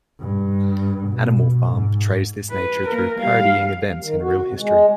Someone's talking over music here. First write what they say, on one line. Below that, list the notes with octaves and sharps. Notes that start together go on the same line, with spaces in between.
"Animal Farm" portrays this nature through parodying events in real history.
G2
B2
G#2
B4
A#3 A#4
G3 F5
D#3
F#4
C3
G#3